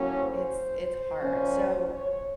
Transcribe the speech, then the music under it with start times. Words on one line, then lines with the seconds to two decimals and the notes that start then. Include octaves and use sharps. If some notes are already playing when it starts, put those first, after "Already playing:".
It's it's hard. So
Already playing: A2 F#3 A#3 C#4
0.17 C5
1.21 A#2 F3 A#3 C#4
1.91 C#5